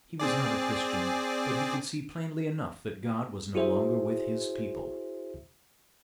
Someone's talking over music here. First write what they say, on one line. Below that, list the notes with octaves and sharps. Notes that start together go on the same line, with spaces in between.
He was not a Christian, but he could see plainly enough that God was no longer with His people.
C4 G#4 D5
E4 F#4 G#4 C5 E5